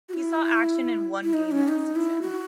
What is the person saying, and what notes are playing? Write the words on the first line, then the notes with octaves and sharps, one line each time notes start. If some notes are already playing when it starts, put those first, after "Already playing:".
He saw action in one game that season.
F#4
E4
E4
D#4
C#4
D#4
E4
F#4